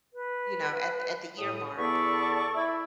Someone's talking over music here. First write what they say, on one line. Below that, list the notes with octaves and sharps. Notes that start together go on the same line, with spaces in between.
you know, at at the year mark,
B4
A2 D#6
E2 B3 A4 D5 B5 C#6
E4